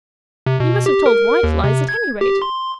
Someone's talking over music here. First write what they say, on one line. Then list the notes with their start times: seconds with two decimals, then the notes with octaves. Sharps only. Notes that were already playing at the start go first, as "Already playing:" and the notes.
You must have told white lies, at any rate.
0.46 C3
0.60 B2
0.86 G4
1.06 A#4
1.43 D#2
1.64 C3
1.89 G#6
2.21 G4
2.42 C6